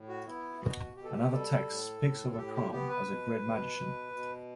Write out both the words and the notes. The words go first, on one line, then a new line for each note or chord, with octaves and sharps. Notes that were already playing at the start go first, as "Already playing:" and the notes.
Another text speaks of a crown as a "great magician."
Already playing: A2
F#4
B3 E4
B2 F#4
B2 G4
A4
G4
G3 A4
A2
A2
A4
A2 G4
G4
B3 G4
B4
B2
B2
B2
B2